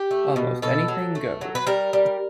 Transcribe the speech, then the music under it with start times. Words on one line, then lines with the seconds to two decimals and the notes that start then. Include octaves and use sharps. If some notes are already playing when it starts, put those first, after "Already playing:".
Almost Anything Goes!
Already playing: G4
0.11 A3
0.36 B2
0.62 B2 A4
0.88 F#3
1.15 A3
1.41 F#3
1.55 B4
1.67 G3 A#4
1.93 G3